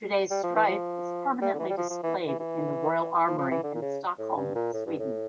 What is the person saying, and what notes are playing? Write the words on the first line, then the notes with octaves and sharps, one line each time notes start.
Today Streiff is permanently displayed in the Royal Armoury in Stockholm, Sweden.
G3
F3
E3
F3
G3
D3
E3
G3
F3
F3
E3
E3
E3
F3
F3
E3
D3
A#2
C#3
A2
G2
A#2
A2
G2
A2